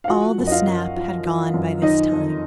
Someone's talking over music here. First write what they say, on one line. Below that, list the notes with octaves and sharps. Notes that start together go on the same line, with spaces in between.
All the snap had gone by this time.
F5
F3 F#4 F#5
F#2
D#5
F4 F5
F#2
F3
F3
F#2
D#3 D#4 D#5
F2